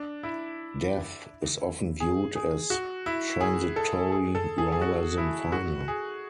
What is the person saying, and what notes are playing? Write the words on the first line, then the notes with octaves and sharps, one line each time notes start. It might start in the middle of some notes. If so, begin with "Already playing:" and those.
Death is often viewed as transitory rather than final.
Already playing: D4
E4
G#4
G#4
F#4
E4
G#4
A4
G#4
A4
G#4
G#4
F#4
E4
F#4
G#4